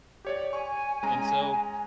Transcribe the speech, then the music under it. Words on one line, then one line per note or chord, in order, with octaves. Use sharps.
And so
G4 C#5 D5
G#5 C#6
G#3 C#4 A#5